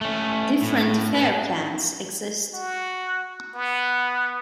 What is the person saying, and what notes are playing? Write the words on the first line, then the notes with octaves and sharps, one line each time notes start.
Different fare plans exist.
A3 C#4
A2
B4 A5
F#4
B3